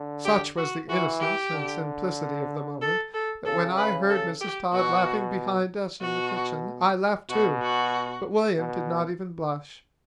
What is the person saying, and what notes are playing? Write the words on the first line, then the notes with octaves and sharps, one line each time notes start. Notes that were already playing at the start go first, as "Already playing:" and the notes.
Such was the innocence and simplicity of the moment that when I heard Mrs. Todd laughing behind us in the kitchen I laughed too, but William did not even blush.
Already playing: D3
G4
F#4
E3 F#4
G4
D3
A4
A4
C#3 A4
B4
A4
G4
B2 F#4
B2 F#4
B2 F#4
F#4
B2